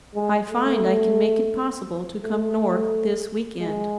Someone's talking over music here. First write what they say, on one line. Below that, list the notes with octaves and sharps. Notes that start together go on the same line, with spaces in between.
I find I can make it possible to come north this week-end.
G#3
A3
A3
G#3